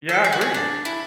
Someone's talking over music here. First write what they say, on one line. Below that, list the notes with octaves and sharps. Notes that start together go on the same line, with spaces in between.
Yeah, I agree.
A4
G#4
F#4
G#4
D4
E4